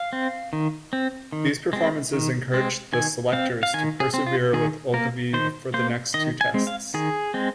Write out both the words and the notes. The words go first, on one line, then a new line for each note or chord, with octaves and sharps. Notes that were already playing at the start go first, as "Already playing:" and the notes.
These performances encouraged the selectors to persevere with Ogilvie for the next two tests.
Already playing: F5
C4
D#3
C4
D#3
G#3 C4
D#3
G#3 C4
D#3 G#5
C4 F5
F5
D#3 G#5
G#4
C4
F4
D#3 G#4
A#3 A#4
D#3 C5
A#3 C5
D#3 D#5
G#5
G#3 C4
F5
D#3 G#4
G#3 C4